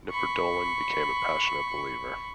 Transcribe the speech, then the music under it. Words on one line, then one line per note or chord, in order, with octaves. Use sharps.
Knipperdolling became a passionate believer.
B5 C#6